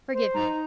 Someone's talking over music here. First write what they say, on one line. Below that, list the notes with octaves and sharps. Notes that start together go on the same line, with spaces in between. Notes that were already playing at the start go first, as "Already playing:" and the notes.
Forgive me.
C5
D#4 A#5